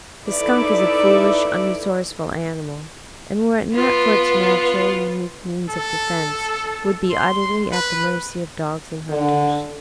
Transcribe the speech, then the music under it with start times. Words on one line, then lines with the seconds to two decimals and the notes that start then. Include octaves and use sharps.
The skunk is a foolish, unresourceful animal and were it not for its natural, unique means of defense, would be utterly at the mercy of dogs and hunters.
0.25 D#4 E4 A4 B4 D5 E5
3.74 B3 F4
5.69 A4
7.10 C6
7.72 B4
9.10 D3